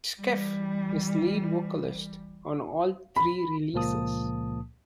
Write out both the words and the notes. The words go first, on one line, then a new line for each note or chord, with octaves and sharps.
Scheff is lead vocalist on all three releases.
E3 G3
B5
C#2 A#2 F3 A#3 A5 D#6